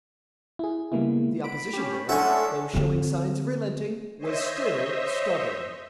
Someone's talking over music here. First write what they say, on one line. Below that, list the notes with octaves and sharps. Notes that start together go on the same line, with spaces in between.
The opposition there, though showing signs of relenting, was still stubborn.
E4 G#4
C#3 G3 G#3 A#3 B3 E4
B5 D7
C#4 G4
G#3 A3 C#4 D4 E4 A4 F#5
D3 C4
C5 C#5 D#5 E5